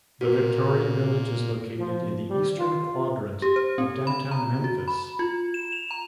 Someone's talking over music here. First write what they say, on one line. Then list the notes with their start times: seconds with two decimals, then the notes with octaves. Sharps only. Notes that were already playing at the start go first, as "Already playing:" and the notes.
The Victorian Village is located in the eastern quadrant of downtown Memphis.
0.21 A#2 F#4 A#4
1.78 F3
2.28 G3
2.58 F4
3.42 G4
3.56 C5
3.78 C4
4.07 B5
4.31 A#5
4.64 F#4
4.88 B5
5.19 F4
5.54 E7
5.72 F7
5.91 A#5